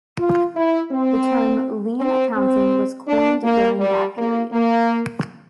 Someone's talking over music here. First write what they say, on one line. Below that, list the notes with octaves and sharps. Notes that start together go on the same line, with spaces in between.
The term "lean accounting" was coined during that period.
F4
E4
C4
C4
C4
D4
A#3
G3
A#3
A#3